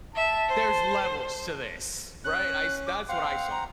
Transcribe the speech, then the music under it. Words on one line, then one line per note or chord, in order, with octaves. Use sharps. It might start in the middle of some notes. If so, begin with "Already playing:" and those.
there's levels to this, right? I s that's what I saw,
E5 A5
C5
C#4 F#6
D6
C4 C5 F5 F#5
A#5